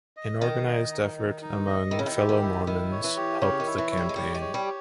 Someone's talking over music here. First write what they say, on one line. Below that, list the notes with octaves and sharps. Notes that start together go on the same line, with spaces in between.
An organized effort among fellow Mormons helped the campaign.
D#5
D#3 D#5
D#5
D#4
D#4
D#4
D#5
D#3 E4
C#3
D#3
G4
D#3
E4
D#3 E4
C#5
E3
G4
C#3 C#5
D#3
E4
E3
C#5
G3
G#3
G3 G4
G#3
C#5
G3
G4